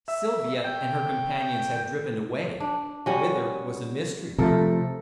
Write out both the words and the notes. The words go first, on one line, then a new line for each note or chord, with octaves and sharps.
Sylvia and her companions had driven away--whither was a mystery.
E5
G5
D4
G3 C#4 F#4
C3 F3 A3 A4 A#4